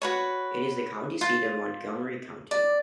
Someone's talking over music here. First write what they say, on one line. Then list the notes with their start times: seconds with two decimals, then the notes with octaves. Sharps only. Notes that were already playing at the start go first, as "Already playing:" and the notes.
It is the county seat of Montgomery County.
0.02 F#4 B4 C#5
1.21 F4
2.51 D5